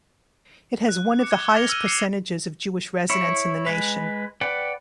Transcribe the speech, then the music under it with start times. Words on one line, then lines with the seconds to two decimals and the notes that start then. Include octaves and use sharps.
It has one of the highest percentages of Jewish residents in the nation.
0.89 F#6
1.19 D6 C#7
1.31 G#6 G7
1.54 D6 F6 G#6 A#6 F7 G7
1.69 E6 F6 D#7
1.86 C7 C#7 E7
3.10 E4 C#5
3.66 G#3 B4
4.41 B4 D5 F#5 G5